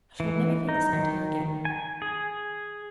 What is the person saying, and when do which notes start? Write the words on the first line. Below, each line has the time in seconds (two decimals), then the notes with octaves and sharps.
I shall never feel the same to her again.
0.20 E3
0.69 D#4
0.93 D#3
1.65 G#5
2.02 G#4